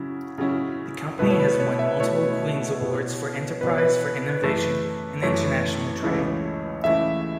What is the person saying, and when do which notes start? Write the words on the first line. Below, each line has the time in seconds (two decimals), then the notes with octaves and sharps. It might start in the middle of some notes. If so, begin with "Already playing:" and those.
The company has won multiple Queen's Awards for Enterprise for innovation and international trade.
Already playing: C#3 F#3 C#4 E4
0.38 C#3 F#3 C#4 E4
1.19 B2 A3 E4 B4
1.30 C#5
1.40 B4
1.60 C#5
1.79 E5
2.00 B2 A3 E4 C#5
2.80 B2 B3 E4
3.61 B2 B3 E4 B4
3.69 C#5
3.78 B4
4.42 F#2 E3 A3 E4
5.22 F#2 E3 A3 E4 C#5
6.03 C#2 C#3 E3 A3 E4
6.83 C#2 C#3 E3 A3 E4 E5